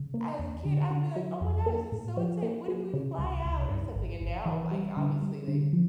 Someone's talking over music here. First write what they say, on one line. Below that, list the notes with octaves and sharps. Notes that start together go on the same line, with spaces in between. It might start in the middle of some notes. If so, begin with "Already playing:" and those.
as a kid, I'd be, like, "oh, my gosh. This is so insane. What if we fly out or something"? And now, like, obviously they,
Already playing: C#3
A#3
E2
D3
D3
F#3
F2
A#3
A2
F3
A#3
F#3
C#3
C#2
C#2
G2
G#1
G#1
E3
G3
D3
G3
D3
F3